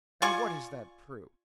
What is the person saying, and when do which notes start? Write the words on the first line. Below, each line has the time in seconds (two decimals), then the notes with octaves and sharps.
"And what is that proof?"
0.22 F4 D5 G#5 C#6